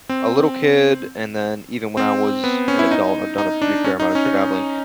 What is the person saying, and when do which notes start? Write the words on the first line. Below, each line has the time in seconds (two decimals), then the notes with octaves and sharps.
a little kid, and then even when I was an adult, I've done a pretty fair amount of traveling,
0.09 C4
1.97 C4
2.44 B3
2.68 C#4
2.79 E4
2.91 D#4
3.38 D#4
3.62 D4
3.84 C#4
4.00 D#4
4.15 C#4